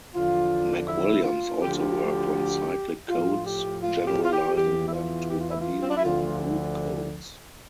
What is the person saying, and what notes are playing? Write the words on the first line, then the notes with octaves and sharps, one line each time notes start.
MacWilliams also worked on cyclic codes, generalizing them to abelian group codes.
E2 D3 F3 F4
E4
F4
D2 D3 F3 G4
G4
A2 F3 F4
G4
F4
G4
F4
G4
E2 E3 G4
E4
F4
G4
F4
E4
F4
C4
D4
E4
D2 D3 F3 F4